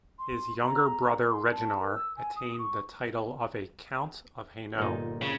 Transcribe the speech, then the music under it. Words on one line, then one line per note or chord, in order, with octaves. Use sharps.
His younger brother Reginar attained the title of a Count of Hainaut.
C6
A#5
C6
A5
A#4
E6
G#5
D#6
C#6
G1 A#2 D#4
C#3